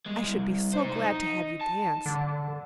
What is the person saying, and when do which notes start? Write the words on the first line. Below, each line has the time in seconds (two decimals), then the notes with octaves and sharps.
I should be so glad to have you dance.
0.06 G#3
0.24 C2
0.73 D#4 C5
0.96 D#4
1.61 A5
2.06 D3